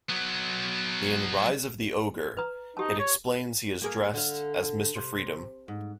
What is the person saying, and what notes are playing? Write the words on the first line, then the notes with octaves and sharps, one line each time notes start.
In "Rise of the Ogre" it explains he is dressed as Mr. Freedom.
F#3 B3
B4 A#5
D#4 G4 A5
C#5
A#3 G#4 A#4
D3 F5
C3
G#2